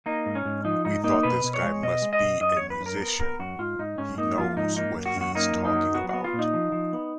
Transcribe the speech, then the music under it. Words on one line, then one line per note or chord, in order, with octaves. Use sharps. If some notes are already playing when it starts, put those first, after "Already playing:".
We thought this guy must be a musician; he knows what he's talking about.
A#3 D#4
G#2
C#4
G#2
F3 D#4
G#2 D#4
A#3 D#4
B2 B4
B2
C#5
G#3
B2 D#5
G#3
D#5
B2
F#2 D#5
F#2 C#5
B4
F#2
A#4
B3 A#4
B3 A#4
F#2 F#4
G#2 F4
G#2 D#4
G#2 C#4
A#3 D#4
F3 F4
G#2 D#4
A#3 D#4
F#2
F#4
F#2 F#4
A#3 D#4
F#2
D#4
F#3
B3 F#4
B3 F#4
F4
A#2
D#4
F3
F3
B3